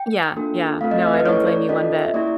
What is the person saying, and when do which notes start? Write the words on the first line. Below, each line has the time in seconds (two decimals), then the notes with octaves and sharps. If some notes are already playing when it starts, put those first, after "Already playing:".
Yeah, yeah, no, I don't blame you one bit.
Already playing: G5
0.36 A#3 D4 F4 A4
0.81 A3 C4 F4 A4 F5
0.91 D#5
1.03 D#5
1.14 B4
1.26 A3 C#4 E4 A4 C#5
1.47 D5
1.69 C#4 F4 A4 D#5
1.99 E5
2.14 A#3 C#4 E4 G4 D5